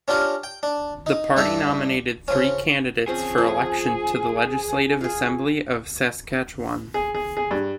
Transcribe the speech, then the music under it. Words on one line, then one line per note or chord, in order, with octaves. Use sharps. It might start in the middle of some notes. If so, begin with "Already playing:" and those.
The party nominated three candidates for election to the Legislative Assembly of Saskatchewan.
C#4 D4 F4 G4 A#4
G5
D4
D#4
G2 G3 E4 A4 E5 A#5
C#3 F3 C#4
F3 C4 C#4 G#4
F3
F4 G#4
G#4
G#4
G#4
G2